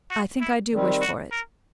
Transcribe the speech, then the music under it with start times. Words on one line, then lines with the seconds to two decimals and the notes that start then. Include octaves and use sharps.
"I think I do wish for it."
0.11 F#4
0.41 E4
0.72 D#3 G3 C4
1.01 F#4
1.32 A#4